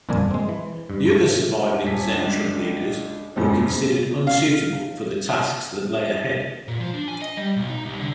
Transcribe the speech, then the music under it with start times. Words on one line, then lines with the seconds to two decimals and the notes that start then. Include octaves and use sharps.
The other surviving "Zentrum" leaders were considered unsuitable for the tasks that lay ahead.
0.09 G1 F2 A#2 A#3 D4 G#5
0.31 G#3 C4
0.49 E3
0.90 G2
1.08 G#2 A3
1.83 D#1 B6
2.11 C#2 D4 E7
3.36 E1 F#2 A#2 C#3 G#3 C4
4.27 F5
6.68 A#2
6.80 F3
6.94 D4
7.08 G#5
7.22 D#5
7.37 G3
7.57 B1
7.70 D#4
7.85 C2
8.00 D3